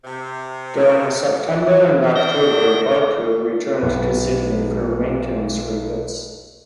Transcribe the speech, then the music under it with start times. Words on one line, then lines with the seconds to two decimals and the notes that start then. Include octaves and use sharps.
During September and October, "Barcoo" returned to Sydney for maintenance refits.
0.03 C3
2.16 E2 D#3 D4 G6 A#6
3.81 B1 B3